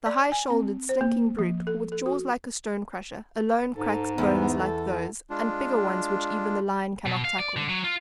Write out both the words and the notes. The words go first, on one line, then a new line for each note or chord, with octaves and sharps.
The high-shouldered slinking brute, with jaws like a stone-crusher, alone cracks bones like those and bigger ones which even the lion cannot tackle.
D5
G#5
C4
C5
A#3
F3
A4
A4
F#4
G#2 A4
E2 G#3 B3
A4
G#3 D4 F4
B2
F5
D5
D3
F#3
F4